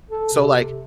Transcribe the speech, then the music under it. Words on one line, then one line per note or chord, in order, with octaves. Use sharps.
So like
A4
C3